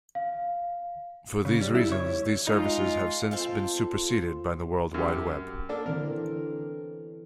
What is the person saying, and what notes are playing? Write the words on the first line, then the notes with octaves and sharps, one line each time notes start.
For these reasons, these services have since been superseded by the World Wide Web.
F5
C#3
G3
E4
C#5
G#3 D#4 F4
C4 F4 A4 F5
F#2 G4
A#3 D4 A4
D3 E3 C4 A#4